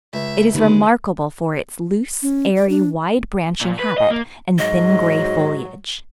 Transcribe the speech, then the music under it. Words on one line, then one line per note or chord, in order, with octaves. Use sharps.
It is remarkable for its loose, airy, wide-branching habit and thin gray foliage.
C#2 E5
D#2 D3 G#3 B4
C#4
D5
D4
A#2
B4
D#5
A#3
G#2 F#3 D#5